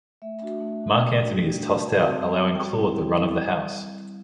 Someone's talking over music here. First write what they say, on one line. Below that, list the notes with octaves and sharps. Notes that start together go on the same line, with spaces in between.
Marc Antony is tossed out, allowing Claude the run of the house.
A3 E5
D4 F#4
A3
D4 F#4
A3 G5
D4 F#4
A3
D4 F#4
G3 A5
C4 F#4
G3
C4 F#4
G3 G5
C4 E4
G3 G5
C4 E4
G3